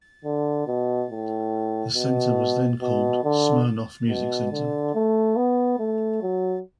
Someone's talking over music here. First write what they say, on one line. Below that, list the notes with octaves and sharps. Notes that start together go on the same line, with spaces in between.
The center was then called Smirnoff Music Centre.
D3
B2
A2
B2
B2
D3
B2
D3
A3
B3
A3
F#3